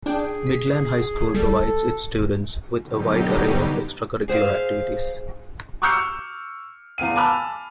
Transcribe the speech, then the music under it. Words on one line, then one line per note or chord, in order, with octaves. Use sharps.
Midland High School provides its students with a wide array of extracurricular activities.
D4 G#4 G5
B6
G3 A4
B2 D3 F#3 G3 D#4 G4
G#4 C5 E5 F5
C#6 D6 E6 F6 G6 C#7
E2 B3 F5 D#7
G#5 A5 B5 D6 E6 F6